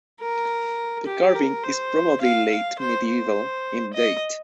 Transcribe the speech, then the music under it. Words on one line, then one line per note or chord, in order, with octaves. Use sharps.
The carving is probably late medieval in date.
A#4
G4
A#4
C5
F5
F5
C5
C5
D#5